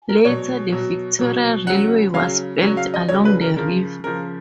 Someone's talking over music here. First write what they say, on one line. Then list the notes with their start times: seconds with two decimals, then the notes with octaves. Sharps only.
Later, the Victoria Railway was built along the river.
0.09 A#4
0.25 B2 F#3 C#5
0.72 B2 F#3
1.19 B2 F#3
1.67 C#3 F#3 F#5
2.14 C#3 F#3 F5
2.62 C#3 F#3 C#5
2.77 F5
2.94 D#5
3.09 C#3 F#3 C#5
3.25 B4
3.41 A#4
3.56 C#3 F3 A#4
4.04 C#3 F3 A#4